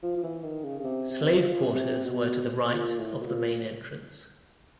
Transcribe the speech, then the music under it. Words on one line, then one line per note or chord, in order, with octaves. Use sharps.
Slave quarters were to the right of the main entrance.
F3
F3
E3
D#3
C#3
C#3
C3
C3
F3
C3
B2
B2
A#2
A2
B2
A#2